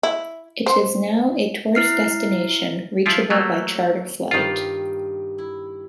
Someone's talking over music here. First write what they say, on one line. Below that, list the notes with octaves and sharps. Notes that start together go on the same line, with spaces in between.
It is now a tourist destination reachable by charter flight.
E4
C5
E4 F6 C7
F3 E4 F4 E5
F#3 A3 A#3
G2 D#3 F4 G5
E4